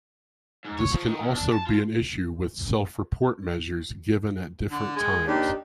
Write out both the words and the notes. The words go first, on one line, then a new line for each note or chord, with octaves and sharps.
This can also be an issue with self-report measures given at different times.
G#2
C#5
F3
D#3
E2
D4
A5
F4
D3
G#3
D#2 D4 D#4 G4